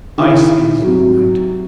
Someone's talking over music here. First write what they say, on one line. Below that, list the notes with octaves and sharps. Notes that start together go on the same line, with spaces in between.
Ice is night.
D#3 E4
C3 F#3